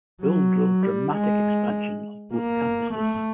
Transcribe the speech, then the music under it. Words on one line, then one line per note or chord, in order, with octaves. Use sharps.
Bill drove dramatic expansion of both campuses.
F#3
G3
G#3
A#3
A3